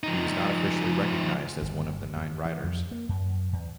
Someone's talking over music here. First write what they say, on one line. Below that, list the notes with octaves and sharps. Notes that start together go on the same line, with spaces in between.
He was not officially recognized as one of the nine riders.
F3 D#4
G1
E2
E3
F2
A#3
F#2
E2